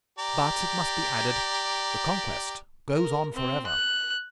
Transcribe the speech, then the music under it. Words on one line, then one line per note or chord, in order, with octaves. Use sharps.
But, it must be added, the conquest goes on forever.
G4 D5 A#5
A#4
C4
F#6